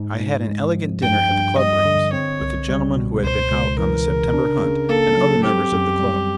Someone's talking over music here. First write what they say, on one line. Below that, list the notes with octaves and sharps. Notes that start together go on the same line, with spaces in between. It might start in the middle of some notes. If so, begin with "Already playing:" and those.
I had an elegant dinner at the club rooms, with the gentlemen who had been out on the September hunt, and other members of the club.
Already playing: G#2
G#2
G#3
F3
G2 G5
G2
G3 D#5
D3
C4 C#5
C2
G3
B2
C#2 C5
C#2
E3 A#4
C#3
D4
C#3
A#3 A4
F#3
C4 G4
F#2
G3